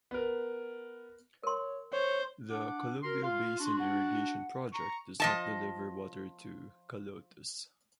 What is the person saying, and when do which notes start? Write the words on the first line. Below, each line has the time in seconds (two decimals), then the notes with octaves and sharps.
The Columbia Basin Irrigation Project does not deliver water to Kahlotus.
0.11 B3 A#4
1.43 A#4 C#5 C6
1.93 C5 C#5
2.50 D4 F#5 D6
3.04 F#4 A#4 C6
3.23 F4 F5 C6
3.59 D4 F#4
3.79 F#5
4.73 A#5 C#6
5.20 F3 D#5 A5